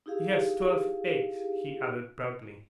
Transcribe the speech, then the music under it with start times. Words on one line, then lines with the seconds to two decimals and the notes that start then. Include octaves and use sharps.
"She has twelve eggs," he added proudly.
0.06 D#4 E4 G4 G#4 F5